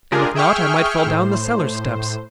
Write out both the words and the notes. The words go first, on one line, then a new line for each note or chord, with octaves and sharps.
And, if not, I might fall down the cellar steps.
G#3 D4 F4 G4 G#4 A#4
G#4 E5 G5 C#6 F6
A2 C5